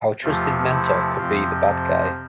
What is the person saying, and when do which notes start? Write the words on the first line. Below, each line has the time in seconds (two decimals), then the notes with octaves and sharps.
Our trusted mentor could be the bad guy.
0.23 E2 C3 F3 A3 F4
0.70 E4
1.17 F2 C3 F3 C4 F4